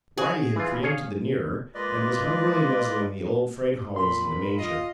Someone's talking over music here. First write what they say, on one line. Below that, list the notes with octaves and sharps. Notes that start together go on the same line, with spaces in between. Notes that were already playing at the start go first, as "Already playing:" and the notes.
Whitey had preempted the nearer, and was hungrily nuzzling the old frayed hollows in the manger.
F#4 G#4
E3 F4
G#4 C#5 F5
G#3 A#3 F4 B4 D5 D#5
A#2 B5 C6
F4 D#5